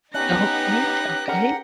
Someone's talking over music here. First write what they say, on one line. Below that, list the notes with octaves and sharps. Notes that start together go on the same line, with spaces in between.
Okay, okay.
B3 C#4 D#4 G4 F#6 A#6
C#4 G#4 A#4 F#5